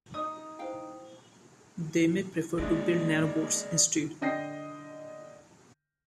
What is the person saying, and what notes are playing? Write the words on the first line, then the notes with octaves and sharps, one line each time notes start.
They may prefer to build nanobots instead.
D#4 D#6
E4 C5 F5 G5
G#3 A#3 D4 E4 G#4 D5 D#5
D3 D#5 G5 A#6 C7